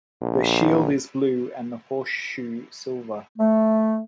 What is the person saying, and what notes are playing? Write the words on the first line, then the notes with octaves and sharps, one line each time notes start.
The shield is blue and the horseshoe silver.
A#1
A3